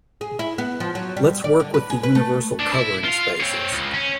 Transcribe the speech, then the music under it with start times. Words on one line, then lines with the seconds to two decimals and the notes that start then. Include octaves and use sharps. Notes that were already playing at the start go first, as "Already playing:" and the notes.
Let's work with the universal covering spaces.
0.21 G#4
0.39 E4
0.58 B3
0.80 F3
0.95 F#3
1.17 G3
1.44 D5
1.60 D3
1.74 B4
1.90 G#4
2.03 B4
2.15 A3
2.60 C2 D4
2.74 E4
3.04 F4 F5
3.41 C4 C#5
3.72 C#2
3.93 C#4